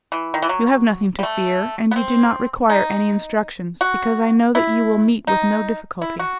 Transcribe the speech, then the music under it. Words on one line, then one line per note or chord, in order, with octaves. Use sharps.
You have nothing to fear and you do not require any instructions, because I know that you will meet with no difficulty.
E3
D#3
E3
F#3
G3
A3
B3
C4
D#4
F#4
E4
D#4
E4
F#4